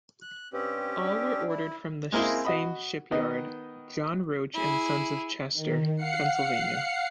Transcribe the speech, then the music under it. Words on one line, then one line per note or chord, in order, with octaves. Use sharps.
All were ordered from the same shipyard, John Roach and Sons of Chester, Pennsylvania.
F#6
G2 C4 C#4 G4
D4
E4
G#3 A#3 C4 E4 G#4
F#4 D#5 B5
D#3 B3 D#5
E4 G#4
D#3
F5 F#5 C7 C#7